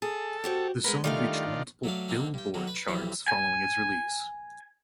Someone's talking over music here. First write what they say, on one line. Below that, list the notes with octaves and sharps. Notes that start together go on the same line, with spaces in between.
The song reach multiple "Billboard" charts following its release.
G#4 A4
C4 F#4 G4
G#3 B3 A#4 B4
D#3 G3 A3 D4 F4 F5
F#3 A3 D5 F5
D3 A#3 C4 D4 D#4
G2 G5
D3 D#3 F#3
B4 B5
B1 F2 E3 G3 C4
G#5